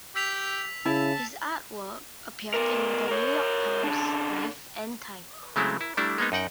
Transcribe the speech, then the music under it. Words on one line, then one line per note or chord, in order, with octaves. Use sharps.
His artwork appeared in "The New York Times", "Life", and "Time".
G4 E6 B6 F7
C#3 E4 A5
B2 A#4
A#4 C#5
C#3 D4
C#3 F#3 G#3 A3 C4 E4
E4
G3 A3 D4 E4
G#3 A#3 B3 D#4
F#2 D#4 F#5 G5